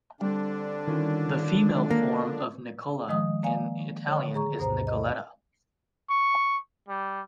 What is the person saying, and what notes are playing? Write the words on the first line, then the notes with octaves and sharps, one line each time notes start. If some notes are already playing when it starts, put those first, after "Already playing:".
The female form of Nicola in Italian is Nicoletta.
D3 G3 C4 D4
D#3 C#4 E4 F4
A#3
D#3 F3 G#3 D#5 D#6
A#3 D5 F5 G#5
D3 C#5
G#4 A#5 C#6
D2 G2 B2 C5 A#5
D#5
C#6
G3